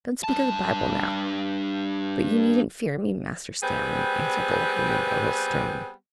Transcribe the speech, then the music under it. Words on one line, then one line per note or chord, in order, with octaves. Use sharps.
'Don't speak of the Bible now; but you needn't fear me, Master Stanley,' answered the old woman, a little sternly.
G2 A5
G3 B3 C4 G#4 B4